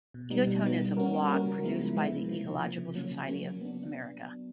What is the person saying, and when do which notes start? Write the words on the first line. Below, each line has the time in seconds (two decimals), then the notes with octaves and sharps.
EcoTone is a blog produced by the Ecological Society of America.
0.14 B2
0.30 G3 B3 D#4
0.47 B2
0.64 G3 B3 D#4
0.80 G3
0.97 A#3 C#4 F#4 A#4
1.13 G3
1.30 A#3 C#4 F#4 A#4
1.46 C#3
1.63 F3 G#3 B3 E4
1.79 C#3
1.95 F3 G#3 B3 E4
2.12 C3
2.29 F3 A#3
2.45 C3
2.61 F3 A#3
2.78 C#3
2.94 F#3 A#3 C#4
3.11 C#3
3.27 F#3 A#3 C#4
3.44 F#3
3.61 B3 D4